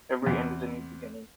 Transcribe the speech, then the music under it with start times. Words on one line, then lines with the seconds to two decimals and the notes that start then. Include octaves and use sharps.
Every end is a new beginning.
0.22 E2 C3